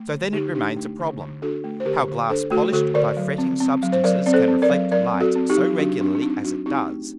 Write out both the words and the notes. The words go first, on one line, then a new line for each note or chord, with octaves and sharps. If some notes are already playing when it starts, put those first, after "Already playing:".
So then it remains a Problem, how Glass polish'd by fretting Substances can reflect Light so regularly as it does.
Already playing: A3
D3
D3 D#4 G4
D4 D#4 G4
A3
D3
D3
D4 F#4 A4
A3
C5
D3 G4 A#4
D3
D4 A4 C5
A3 F#4 A4
D3 F#4 A4
D3 A#4 D5
F#3
C4
C4
F#3
C5
F#3 A#4 D5
C4 D5
A4 C5
C4
A#4 D5
F#3
F#3 A#4 D5
C4
F#4 A4
C4
D#4 G4
F#3
F#3 D4 F#4
C4 D4
D4
C4 D#4
F#3 D4 F#4
C4 D#4 G4
A3